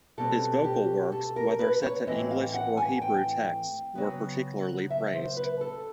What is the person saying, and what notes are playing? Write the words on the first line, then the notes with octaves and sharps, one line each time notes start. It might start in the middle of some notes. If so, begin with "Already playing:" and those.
His vocal works, whether set to English or Hebrew texts, were particularly praised.
B2 G3 C4 A4
G4
A4
A#4
B4
C#5
A2 E3 A3 C4 D#5
F5
F#5
G#5
G5
C#3 F#3 B3
E5
C5
B4
A4